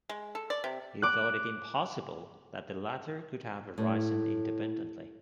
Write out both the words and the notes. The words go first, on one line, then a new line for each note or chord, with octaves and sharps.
He thought it impossible that the latter could have arisen independently.
G#3
A4
D5
C3
D6 F#6
A2